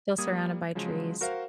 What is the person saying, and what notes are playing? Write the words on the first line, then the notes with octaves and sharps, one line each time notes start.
Still surrounded by trees.
G3 A#3 D#6 G#6
C#3 F3 F#3 G#3
F#4 A#4 C5 F5 F#5